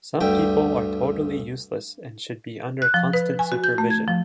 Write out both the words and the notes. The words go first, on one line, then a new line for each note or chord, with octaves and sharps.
Some people are totally useless and should be under constant supervision.
D2 G2 G5
F#6
F3
B4
G#5
F#4
G6
A3
G#6
F3